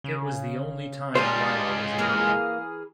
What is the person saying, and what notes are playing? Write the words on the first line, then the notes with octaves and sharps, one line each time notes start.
It was the only time Lilah was a hero.
C#3
G3 G#3 D4 D#4 F4 C5
E3 A#3 G#4 A#4